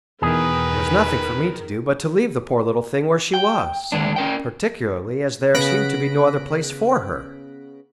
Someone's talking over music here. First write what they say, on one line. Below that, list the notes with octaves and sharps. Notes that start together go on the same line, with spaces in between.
There was nothing for me to do but to leave the poor little thing where she was, particularly as there seemed to be no other place for her.
E2 B2 D#3 E3 G#4 A#4 B4
G5
D3 D#3 G#3 D4
C#4 A#4 G5
C#3 B3 F#6 A#6 B6 D7